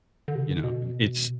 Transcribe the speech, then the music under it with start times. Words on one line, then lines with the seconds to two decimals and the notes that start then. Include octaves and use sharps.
you know, and it's
0.28 D3
0.35 C3
0.42 D3
0.64 B2